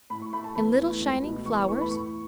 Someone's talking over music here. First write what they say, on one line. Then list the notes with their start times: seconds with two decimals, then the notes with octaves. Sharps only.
"And little shining flowers?"
0.10 A2 B5
0.22 C#6
0.33 A3 B5
0.44 A5
0.55 E2 B5
0.79 E3 A3
1.00 C#2
1.23 B2 A3
1.45 E2 C#6
1.68 E3 A3 C#6
1.81 B5
1.91 A2 C#6